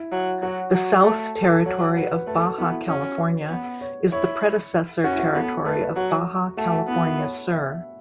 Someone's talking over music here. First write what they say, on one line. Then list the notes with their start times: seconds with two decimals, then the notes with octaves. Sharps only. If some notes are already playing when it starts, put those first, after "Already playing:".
The South Territory of Baja California is the predecessor territory of Baja California Sur.
Already playing: E4
0.12 F#3
0.42 F#3 F#4
0.73 F#3
1.04 A3
1.35 A4
1.51 A4
1.65 F#3 C#5
1.96 F#3 B4
2.12 B4
2.27 A3 B4
2.38 A4
2.48 F#4
2.58 B3 E4
2.88 C#4 F#4
3.19 B4
3.50 B3
3.81 C#5
4.11 E4 C#5
5.04 C#4 F#4
5.13 E4
5.19 F#4
5.35 B3 A4
5.65 A3 B4
5.81 B4
5.96 F#3 F#4
6.57 A3 F#4
6.73 F#4
6.88 B3 E4
7.05 E5
7.19 C#5
7.51 E5